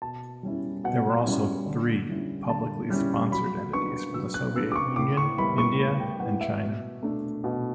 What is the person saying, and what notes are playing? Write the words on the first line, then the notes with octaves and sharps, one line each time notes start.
There were also three publicly sponsored entities from the Soviet Union, India and China.
B2 A5
G3 C#4 E4
B2 F#5
G3 C#4 E4
D3
G3 C#4 E4
D3 A5
G3 C#4 E4
F#3 B5
B3 D4 C#6
F#3 E6
F#6
B3 D4 E6
D6
C#6
A2 D6
C#6
G3 B3 E4 B5
C#6
A2 B5
G5
G3 B3 E4 F#5
E5
B2
A3 D4
B2